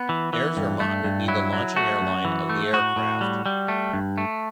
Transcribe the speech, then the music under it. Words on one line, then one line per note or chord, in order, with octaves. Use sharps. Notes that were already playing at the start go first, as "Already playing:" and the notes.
Air Zermatt will be the launching airline of the aircraft.
Already playing: B3
E3
E3
G2
G2 A3
G2
F#3 E4
F#3
A3 F#4
F#2
E3
A3
A2 F#4
A2
G3
G3
A3
G2
A3